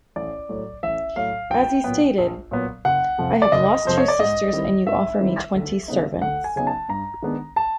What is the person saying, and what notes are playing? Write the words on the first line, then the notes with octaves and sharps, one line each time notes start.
As he stated; 'I have lost two sisters and you offer me twenty servants.
A1 D5
A2 F#3
A1 E5
A2 F#3 F5
A#1 G5
A#2 F#3 B3
A#1
A#2 F#3 B3
F#1 F#5
F2 C3 F3
D5
F#1 D#5
F2 C3 F3 C5
C#5
D5
G#2 D#5
D#3 G3 C4 E4
G#2 E5
D#3 G3 C4 E4
D2
C#3 F#3 B3 D#4
D2 F#5
G#5
C#3 F#3 B3 D#4 G#5
A5
G2 A#5
D#3 G#3 B3 D4
A5